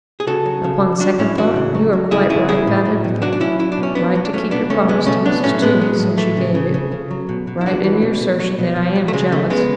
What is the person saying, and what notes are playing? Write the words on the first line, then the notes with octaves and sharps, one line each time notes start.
Upon second thought, you are quite right about everything--right to keep your promise to Mrs. Toomey, since you gave it, right in your assertion that I am jealous.
G#4
C#3 F#4 A4
F#3
C#3
C#3
F#3 D4 F#4
A2 C#4 E4
E3 D4 F#4
C#3
F#3
F#3
C#3 E4 G#4
C#3 E4 G#4
E3 E4 G#4
A2
F#3
B2
F#3 D4 F#4
D4
F#3 C#4 E4
F#3 E4
D4
B2
C#4
F#3 B3 D4
F#3
D4
F#3 A3 C#4
B2 B3 D4
C#3 A3 C#4
C#3 G#3 B3
B2 A3 C#4
B2 B3 D4
A2 A3 C#4
A2 G#3 B3
F#3
A2
E3 A3
C#3
C#3
C#3
C#3
F#3
B2
B2
E4
E3 D4 F#4
E3
B2
B2
F#3
B2
B2
F#3
A3
C#3 G#3
C#3 A3
C#3 G#3 B3